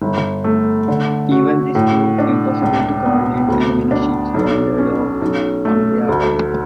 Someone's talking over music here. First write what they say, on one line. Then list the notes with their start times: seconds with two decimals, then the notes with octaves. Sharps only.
Even this proved impossible to coordinate, and many ships wandered off on their own.
0.02 G1
0.44 A3
0.88 D3
1.31 F#4
1.75 A2
2.19 D4
2.62 C#2
3.05 B3
3.48 D2
3.91 D4
4.34 B1
4.78 C#4
5.22 B1
5.65 A3
6.09 D2